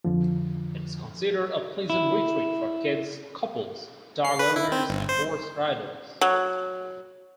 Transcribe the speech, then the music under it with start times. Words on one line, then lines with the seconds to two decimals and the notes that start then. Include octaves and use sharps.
It is considered a pleasant retreat for kids, couples, dog owners and horse riders.
0.04 F2 D3 F3
1.90 E4
4.25 C7
4.39 B4
4.56 E4
4.72 C4
4.89 G1
5.09 C5
6.21 F#3